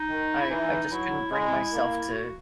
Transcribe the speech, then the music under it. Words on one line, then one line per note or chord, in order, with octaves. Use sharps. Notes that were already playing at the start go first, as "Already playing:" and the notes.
I I just couldn't bring myself to
Already playing: D#4
D#3
E4
E3 D#4
F#3 E4
G#3 E4
A#3
F#4